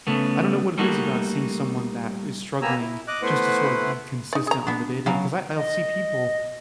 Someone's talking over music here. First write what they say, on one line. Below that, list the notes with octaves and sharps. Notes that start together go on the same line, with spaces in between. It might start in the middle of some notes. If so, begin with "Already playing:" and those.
I don't know what it is about seeing someone that is struggling just to sort of be consistent on the day-to-day. 'Cause I I'll see people,
C#3 A3 B3
G3 A3 A#3 D#4 F#4
A#3 B3 G4 G#5 A#5 E6
E4
D#5 D6 F#6
A3 B3 E4 B4 C5 F#5
D#4 D5
G#4 A#5
B3 D4
C#3 F#3
D#5